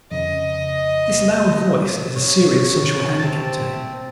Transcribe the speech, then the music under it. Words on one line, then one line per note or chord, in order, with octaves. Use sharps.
This loud voice is a serious social handicap to him.
F2 C#3 D#5
C#5
C3 C4 A5 A6